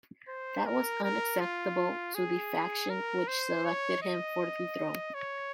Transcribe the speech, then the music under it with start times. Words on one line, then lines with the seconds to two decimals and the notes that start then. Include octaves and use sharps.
That was unacceptable to the faction which selected him for the throne.
0.28 C5
0.66 A#4
1.04 A#4
1.40 F4
2.15 G#4
2.90 A#4
3.28 C5
3.65 C#5
4.03 D#5
5.14 C#5